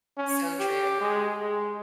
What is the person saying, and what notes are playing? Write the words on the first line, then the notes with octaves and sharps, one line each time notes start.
So true.
C#4
G4
G#3
G#3